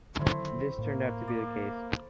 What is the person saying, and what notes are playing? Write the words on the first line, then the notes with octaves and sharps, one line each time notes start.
This turned out to be the case.
D3 D#3 F#3 A3 C4 E4
A2 A#3
D5